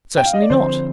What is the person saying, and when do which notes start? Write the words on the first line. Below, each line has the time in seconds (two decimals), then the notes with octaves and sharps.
"Certainly not!"
0.17 G5
0.25 F5
0.33 D#5
0.42 D5
0.50 D3 F3 C4 C5